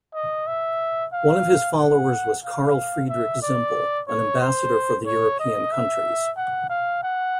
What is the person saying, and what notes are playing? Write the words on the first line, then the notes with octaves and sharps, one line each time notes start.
One of his followers was Carl-Friedrich Zimpel, an ambassador for the European countries.
D#5
E5
F5
F#5
F5
E5
D5
C#5
C5
C#5
D#5
E5
F#5
F5
F#5